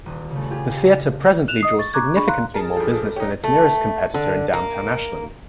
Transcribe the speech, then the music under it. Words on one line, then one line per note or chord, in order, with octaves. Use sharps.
The theater presently draws significantly more business than its nearest competitor in downtown Ashland.
D#1
C#3 A3
F4 G4 G#4
F#6 E7 F7
D#5 D#6 C7
C#6 A6
A#5 C#6 D6 F#6 G#6
D4 G#4 B5 C#6
F5 A#5 C6 F#6
G#4 A#4 A5
G2 F3 A4
C#4 D#4 G4
A3
D3
A#3